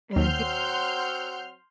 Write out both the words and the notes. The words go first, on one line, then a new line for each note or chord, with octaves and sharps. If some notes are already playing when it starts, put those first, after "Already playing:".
And I think
D#2 F#3 C4 F#5 C6 F6 G6